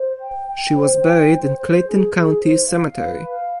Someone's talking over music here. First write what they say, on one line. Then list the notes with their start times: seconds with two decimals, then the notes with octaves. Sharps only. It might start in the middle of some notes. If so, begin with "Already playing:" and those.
She was buried in Clayton County Cemetery.
Already playing: C5
0.20 G5
0.48 G5
0.75 C5
1.03 G5
1.31 C5
1.58 C5
1.87 G#4
2.14 G#4
2.42 C5
2.69 F5
2.97 B4
3.25 F5